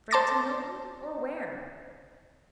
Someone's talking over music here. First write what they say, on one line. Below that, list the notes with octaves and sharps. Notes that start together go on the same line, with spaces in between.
Straight to Milton, or where?
C5 A5 C6 D6 A6 A#6